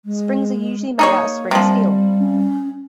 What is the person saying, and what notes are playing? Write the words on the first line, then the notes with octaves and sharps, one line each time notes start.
Springs are usually made out of spring steel.
G#3
A#3 D#4 G#4 C#5
C3 F3 G3
C#4